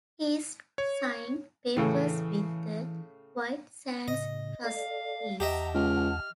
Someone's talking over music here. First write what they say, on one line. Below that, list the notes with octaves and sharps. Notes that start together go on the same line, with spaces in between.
He’s signed papers with the White Sands trustees.
C#5
A2 C#3 E3 A3
A2 C#3 D#5
A4 D5 F5
E2 G4 D#5 E5 F#5 A5 A#5
C#2 F6